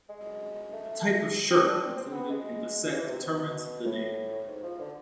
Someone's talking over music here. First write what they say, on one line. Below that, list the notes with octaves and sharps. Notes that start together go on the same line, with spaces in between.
The type of shirt included in the set determines the name.
G#3
A3
C4
D4
C4
C4
B3
G#3
E3
C3
B2
A2
G#2
F3
D3